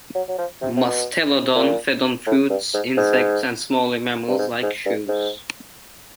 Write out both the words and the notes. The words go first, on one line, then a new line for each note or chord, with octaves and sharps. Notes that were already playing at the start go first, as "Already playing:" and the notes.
"Mustelodon" fed on fruits, insects and smaller mammals like shrews.
F#3
F#3
F3
C3
C3
B2
A#2
A2
G2
G#2
G#2
G2
G#2
G#2
G2
G#2